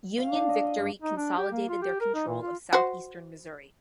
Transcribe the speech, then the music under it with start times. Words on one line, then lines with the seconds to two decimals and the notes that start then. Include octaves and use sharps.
Union victory consolidated their control of southeastern Missouri.
0.18 F5
0.33 D4
0.49 D#5
0.65 D#5
0.78 G2
1.02 D#4
1.17 D4
1.37 G4
1.52 A#3
1.68 F4
1.82 G4
2.00 A#4
2.14 D#4
2.28 A#2
2.41 F4
2.73 F#4 C5